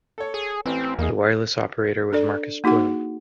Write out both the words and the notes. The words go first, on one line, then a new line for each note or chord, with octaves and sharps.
The wireless operator was Marcus Bloom.
A4 C#5
G#4
A1 E3 C4
E2 A#3 D#4 G#4
D4 A4 D5
A#3 D#4 F#4 G#4 F#5